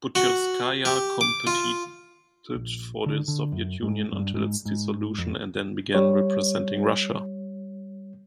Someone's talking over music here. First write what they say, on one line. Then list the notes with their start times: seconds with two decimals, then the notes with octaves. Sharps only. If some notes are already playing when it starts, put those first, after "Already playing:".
Butyrskaya competed for the Soviet Union until its dissolution and then began representing Russia.
0.15 F#4
0.85 G4
1.21 D6
1.47 F4
2.55 A#1
3.06 D3
3.28 D3
3.52 F#2
3.83 G#2
4.12 G2
4.34 G#2
4.66 G#2
5.18 F2
5.94 G3 C#5